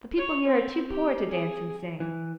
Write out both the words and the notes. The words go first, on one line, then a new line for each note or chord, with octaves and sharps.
The people here are too poor to dance and sing.'
C#5
C4
G4
G#4
E3